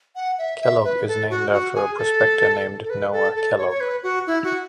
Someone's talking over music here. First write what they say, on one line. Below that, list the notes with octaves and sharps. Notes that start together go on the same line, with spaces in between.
Kellogg is named after a prospector named Noah Kellogg.
F#5
E5
E5
B4
A4
F#4
F#4
G#4
A4
A4
B4
A4
A4
C#5
C#5
B4
F#4
E4
F#4